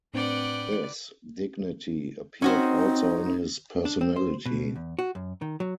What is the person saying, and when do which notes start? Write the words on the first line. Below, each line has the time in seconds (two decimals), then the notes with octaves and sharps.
This dignity appeared also in his personality.
0.14 A2 C4 D4 B4 D5 F#5 G5
2.42 C4 C#4 D#4 F#4 C5
3.85 D4
4.01 C4
4.16 C5
4.45 B2
4.76 E2
4.99 F#4
5.15 F#2
5.42 D#3
5.60 F#3